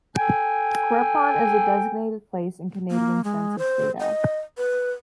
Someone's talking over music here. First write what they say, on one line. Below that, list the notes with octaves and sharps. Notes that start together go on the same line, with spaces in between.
Quirpon is a designated place in Canadian census data.
A4 G5 G#5
A#3
G#3
C5
D#5
B4